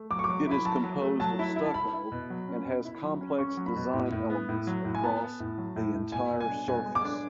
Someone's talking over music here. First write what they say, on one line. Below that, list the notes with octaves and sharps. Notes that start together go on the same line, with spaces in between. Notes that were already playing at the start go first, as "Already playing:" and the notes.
It is composed of stucco and has complex design elements across the entire surface.
Already playing: A3
F#3 D6
C#6
F#3 D6
E4 B5
F#3 A5
F#3
A3
F#3 A5
E4
E4
A5
E4 B5
E4
B2
F#3
C#4
B2
E4
F#3
C#4
C#4 C#6
F#3
B5
B2
A2
A2
B3
A2
F#3
A2
G#5
B3 A5
B3
A2
F#3
A2
A2
B2 G#5
B2
G#5
D4
B2 G#5
G#3
D6
D4